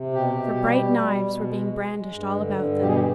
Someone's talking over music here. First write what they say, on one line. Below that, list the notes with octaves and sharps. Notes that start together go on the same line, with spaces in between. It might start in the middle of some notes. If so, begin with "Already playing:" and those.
For bright knives were being brandished all about them.
Already playing: C3
B2 G4
B2
G3
G3
B2
B2
G#3
G#3
G#3
G2
D3
G2
B2 G4
G#4
G4